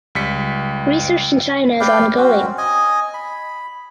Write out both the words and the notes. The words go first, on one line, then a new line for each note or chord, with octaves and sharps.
Research in China is ongoing.
C#2 G3 B6 C#7
B4 D5 F5 G5
C4 C#4 F#4
D#5 G#5
B5